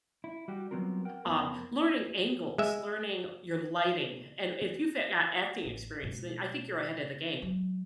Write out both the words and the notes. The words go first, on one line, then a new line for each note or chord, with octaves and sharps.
um, learning angles, learning your lighting, and if you fit got acting experience, then I think you're ahead of the game.
E4
G3 F#4 G4
F#3 G3 B3 C4 F4 A#4
A#4 F#5 G5
F2 A#3 B3 A5 B5 C6
G#3 E5
A1
B2 G#3
F#3 G#3